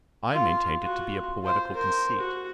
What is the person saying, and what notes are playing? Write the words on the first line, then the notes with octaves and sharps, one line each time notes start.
I maintained it to be a poetical conceit.
F4 F5
F4 F#4
F4 C5
A#4 C5
F#4